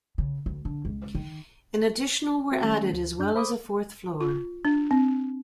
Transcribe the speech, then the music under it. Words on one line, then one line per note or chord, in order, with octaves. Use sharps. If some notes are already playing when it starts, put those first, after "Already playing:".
An additional were added, as well as a fourth floor.
C#3
D2
D3
C#2
D#3
C4 F#4 E5 G5
D#3 G3 A3 C#4
D2
F#2 D4 G6
C5 B5 D6 D#6
F4
D4
C4